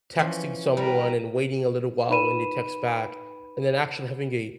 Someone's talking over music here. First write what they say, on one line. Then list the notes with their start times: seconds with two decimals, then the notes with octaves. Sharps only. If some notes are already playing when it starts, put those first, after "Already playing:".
texting someone and waiting a little while when they text back, and then actually having a
0.19 E3 F3 C#4
0.77 G3 A#4 B4
2.10 D#4 B4 B5 D#7 E7